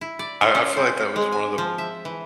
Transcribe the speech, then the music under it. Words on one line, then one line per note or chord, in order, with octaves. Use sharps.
I I feel like that was one of the
E4
D5
F4
C#4
C4
G#3
G#5
F3
E5
E3